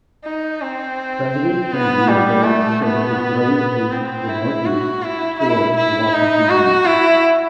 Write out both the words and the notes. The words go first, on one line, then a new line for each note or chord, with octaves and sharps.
President Kennedy was buried so that his grave faced northeast toward the Washington Monument.
D#4
C4
B3
G3
A3
B3
C4
E4
F#4
E4
E4
E4
D#4
F#4
E4